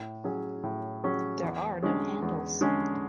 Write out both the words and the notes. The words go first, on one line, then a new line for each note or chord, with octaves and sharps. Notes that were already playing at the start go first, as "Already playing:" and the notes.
There are no handles.
Already playing: A2
F#3 C#4 G#4
A2
F#3 C#4 G#4
E2
D3 G#3 C#4 G#4
E2
D3 G#3 C#4 G#4